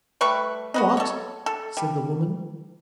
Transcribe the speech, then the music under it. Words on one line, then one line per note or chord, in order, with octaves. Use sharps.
"What?" said the woman.
G3 A3 B4 C#6
F#4 B4 D#5
A4 C#5
A4
G3